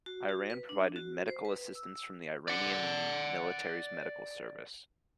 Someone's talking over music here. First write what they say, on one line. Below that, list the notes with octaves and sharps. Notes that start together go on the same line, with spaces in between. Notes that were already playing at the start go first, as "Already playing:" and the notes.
Iran provided medical assistance from the Iranian military's medical service.
F#4
F#4
B4
D4
F#4
C5
B4
E6
D5 F#5